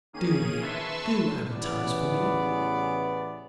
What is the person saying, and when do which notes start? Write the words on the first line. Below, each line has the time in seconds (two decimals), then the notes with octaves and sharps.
Do, do advertise for me.
0.13 D#3 A#3 C#4 G#4 D#7
0.62 B4 E5 A5 C6 C#6 E6
1.54 A1 C#3 E3 B3 D5